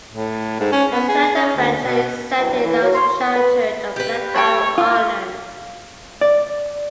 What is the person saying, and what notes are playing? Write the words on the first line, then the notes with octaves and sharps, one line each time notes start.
The third adventure is set in Lara's childhood on Black Isle of Ireland.
A2
G#2
C#4
B3
G#4
C#4
D2
B2
G2 E3 F#3
E3
F#3
C#5 C6
B4
G4 B4
C#5 G5 A5 B5
F4
D5